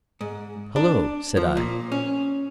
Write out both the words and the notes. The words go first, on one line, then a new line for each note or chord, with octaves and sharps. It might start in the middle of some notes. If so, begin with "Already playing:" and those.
"Hullo," said I.
G#2
D4
F3
A#2
C#4